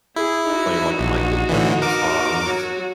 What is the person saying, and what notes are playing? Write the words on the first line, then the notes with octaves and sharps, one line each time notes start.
playing, like, Michael Bolton songs.
E4 G#4
D#4 F#4
A#1
A2 D3 E3
A#4 D6
F#3 F#4